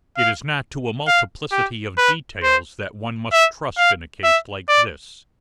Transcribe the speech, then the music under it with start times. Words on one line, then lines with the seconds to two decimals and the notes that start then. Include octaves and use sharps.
It is not to a multiplicity of details that one must trust in a case like this.
0.17 F5
1.07 F5
1.51 G4
1.97 B4
2.43 C5
3.32 E5
3.77 F5
4.23 E5
4.68 D5